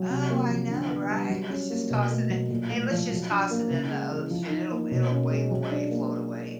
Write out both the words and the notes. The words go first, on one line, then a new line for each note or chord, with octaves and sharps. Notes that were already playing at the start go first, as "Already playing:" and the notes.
Oh, I know, right? Let's just toss it in. Hey, let's just toss it in the ocean. It'll it'll wave away, float away.
Already playing: F#3
C3
A#3
F3
D3
B3
G3
F#3
C#4
A#3
B2
A3
F#3
A#2
A3
F3
F#3
D4
A#3
C#3
G#3
E3
F3
D#4
A#3
B2
C#4
G#3
F#3
D4
A#3